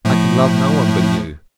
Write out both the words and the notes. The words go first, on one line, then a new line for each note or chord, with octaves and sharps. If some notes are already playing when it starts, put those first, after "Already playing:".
I can love no one but you.
A2 F3 A3